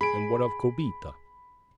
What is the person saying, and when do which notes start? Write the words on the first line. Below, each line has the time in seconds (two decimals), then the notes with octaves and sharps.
"And what of Kobita?"
0.01 G#4 B5 D7